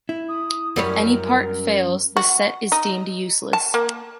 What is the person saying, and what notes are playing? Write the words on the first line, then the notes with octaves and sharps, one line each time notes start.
If any part fails, the set is deemed useless.
E4
D#6
F#2 G3 C#4 A#4
F#4
D#4
A5
A#3